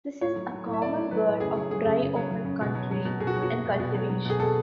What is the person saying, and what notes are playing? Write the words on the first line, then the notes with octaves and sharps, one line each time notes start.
This is a common bird of dry open country and cultivation.
A2 C#5
F#3
F#3
A2
E5
A2 D5
F#3
F#3 B4
A2
C#3 G#4
F#3
F#3 G#4
C#3
C#3
F#3
F#3
C#3
B2
F#3
F#3
B2
B2 G#4
F#4
F#3
F#4
F#3
B2
B2
F#3
F#3
B2 G#4
B2 A4